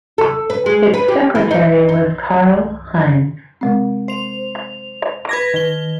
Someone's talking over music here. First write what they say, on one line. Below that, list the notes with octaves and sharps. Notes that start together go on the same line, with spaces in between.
Its secretary was Karl Heinz.
A4
B4
G#3
B4
G4
E3
D#4
D#4
C3 G#3 C4
C5 F7
B4 G#6 A#6
D#3 G7